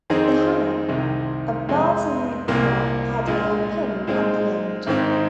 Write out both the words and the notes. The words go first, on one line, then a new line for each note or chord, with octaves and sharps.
The hammer, a balsa-wood prop, had a pin at the end.
F2 D#3 C4 D#4 G#4
C2 C3 D#3
F2 C3 G#3
C2 A#2 A#3
A#1 A#2 G#3 F4
A#2 G#3 C4 D#4
G#1 G#2 D#3 C4